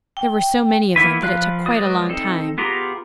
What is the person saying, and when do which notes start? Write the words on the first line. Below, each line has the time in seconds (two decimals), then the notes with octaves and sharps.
There were so many of them that it took quite a long time.
0.17 G5
0.96 A#3 B3 E4 B4
1.22 F3 F4 F5 B5 F#6
1.66 F#3 G#3 B4 D5 D#6
2.09 C4 D#4 A4
2.58 B3 F4 G4 G#4 A#5